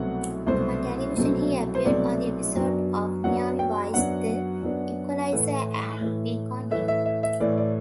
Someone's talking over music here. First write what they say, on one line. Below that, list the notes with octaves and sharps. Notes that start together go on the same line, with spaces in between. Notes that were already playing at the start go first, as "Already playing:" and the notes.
On television, he appeared on episodes of "Miami Vice", "The Equalizer", and "Beacon Hill".
Already playing: C2 B2 F#3 A3 C4 F#5
C2 B2 F#3 A3 C4 C5
C2 B2 F#3 A3 C4
C5
C2 B2 F#3 A3 C4 D5
F#2 F#3 B3 D4
F#2 F#3 B3 D4 F#5
G5
F#2 F#3 B3 D4 F#5
F#2 F#3 B3 D4
A2 E3 A3
A2 E3 A3
A2 E3 A3 E5
E5
E5
E5
A2 E3 A3 D5
D5